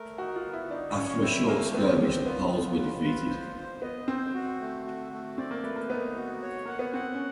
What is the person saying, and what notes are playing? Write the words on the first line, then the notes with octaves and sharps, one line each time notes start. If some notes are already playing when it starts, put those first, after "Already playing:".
After a short skirmish, the Poles were defeated.
Already playing: A3 A#4
D#4 F#4
F4
B3
E4
D4 D#4
C#4 C#5
C4 E4
A3 A#3
B3 C4
C4
B3 F4
F4
B4
F4
C5
C5
B3 D#5
C4 C5
F#4
A3
F#4
A3
C4 D5
A#3
A3 B4
A#3
B3 D#4
F#4
C#5
A#3 F#5
B3
C4 F#5
C#4